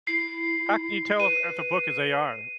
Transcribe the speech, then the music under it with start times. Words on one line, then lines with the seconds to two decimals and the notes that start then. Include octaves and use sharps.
How can you tell if, if a book is AI?
0.07 E4 C7
1.20 B4 D#7